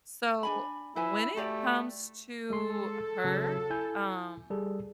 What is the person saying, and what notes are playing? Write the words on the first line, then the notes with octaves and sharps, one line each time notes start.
So, when it comes to her, um,
D4 G#5 B5
E4 B4 G#5
A3 F#4 G4 D5
G#3 G#4 A4 C6
C#3 F#3
E4 G#5 G6
G3 G#4 A4